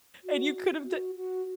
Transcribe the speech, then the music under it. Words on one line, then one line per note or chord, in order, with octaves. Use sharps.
And you could have d
F#4
F#4
F#4